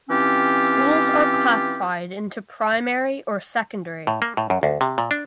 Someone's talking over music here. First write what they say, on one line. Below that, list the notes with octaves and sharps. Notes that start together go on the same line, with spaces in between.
Schools are classified into primary or secondary.
E3 C4 C#4 F4 G4
A2
A#3
A2
F#2
D2
C3
A#2
D4